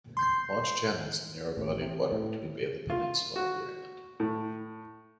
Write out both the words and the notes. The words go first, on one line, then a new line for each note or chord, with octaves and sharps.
Launch Channel is the narrow body of water between Bailey Peninsula and the island.
C6 G6 C7
A1
C3
A2
F4
F#4
A2